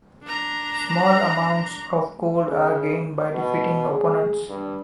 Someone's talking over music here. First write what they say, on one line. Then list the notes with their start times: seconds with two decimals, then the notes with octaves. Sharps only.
Small amounts of gold are gained by defeating opponents.
0.23 D4 A#5
2.45 C#3
3.32 B2
3.91 G#4
4.49 G2